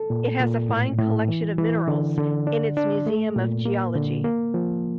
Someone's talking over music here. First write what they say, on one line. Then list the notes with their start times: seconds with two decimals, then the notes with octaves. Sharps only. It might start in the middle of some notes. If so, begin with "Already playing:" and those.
It has a fine collection of minerals in its museum of geology.
Already playing: A4
0.10 A#2
0.40 A#2
0.69 A2
0.99 A2
1.28 E3
1.58 E3
1.88 D3
2.17 D3
2.47 D4
2.77 D4
3.06 A3
3.36 A#2
3.65 A#3
3.95 D3
4.24 A#3
4.54 F3